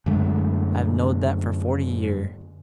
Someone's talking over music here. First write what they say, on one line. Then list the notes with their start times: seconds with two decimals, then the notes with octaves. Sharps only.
I've knowed that for forty year.
0.06 F#2 D3 G#3 A3